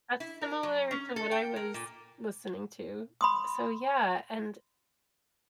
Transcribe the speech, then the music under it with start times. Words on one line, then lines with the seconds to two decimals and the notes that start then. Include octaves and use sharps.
That's similar to what I was listening to. So, yeah. And,
0.20 E4
0.41 A#4
0.63 F#3
0.91 C#4
1.16 A4
1.31 G5
1.56 A#4
1.74 A#2
3.21 B5 C6 D#6